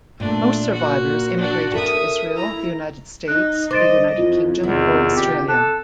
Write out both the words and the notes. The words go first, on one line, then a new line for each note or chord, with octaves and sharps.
Most survivors immigrated to Israel, the United States, the United Kingdom or Australia.
A#2 A3 D4
A#3 F#4
D4 F#4
A4 A#4 E5 D#6
E4 A#5
D#4 F#6
G3 C5 D#5 D6 A6 D7
F2 E4 F4
E2 C3 D#3
G4
A4 F#6